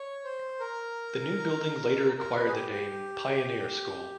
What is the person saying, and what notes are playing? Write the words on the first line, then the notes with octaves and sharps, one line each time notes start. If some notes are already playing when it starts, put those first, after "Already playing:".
The new building later acquired the name "Pioneer" School.
Already playing: C#5
C5
A#4
A#4
B4
G#4
G4
G4